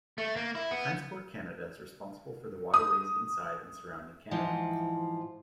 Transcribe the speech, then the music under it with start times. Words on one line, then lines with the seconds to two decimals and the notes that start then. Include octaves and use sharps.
Transport Canada is responsible for the waterways inside and surrounding Canada.
0.18 A3
0.36 A#3
0.55 E4
0.71 B3
2.74 D#6
4.31 G#2 E3 F3